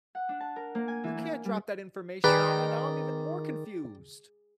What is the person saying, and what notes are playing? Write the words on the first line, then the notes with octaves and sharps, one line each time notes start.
You can't drop that information on me. Now I'm even more confused.
F#5
D4
A5
A#4
A#3
G#5
E3
A#3
G3
D#3 G#4 B4 D5 G5 A#5